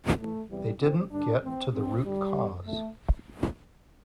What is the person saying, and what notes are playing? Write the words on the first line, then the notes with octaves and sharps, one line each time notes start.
They didn't get to the root cause.
A2 E3 A3
E2 C3 E3 G3
A2 E3 C4
G2 D3 D4
A2 E3 C4
G2 E3 C4
G2 D3 G3
E2 B2
E2 B2 A3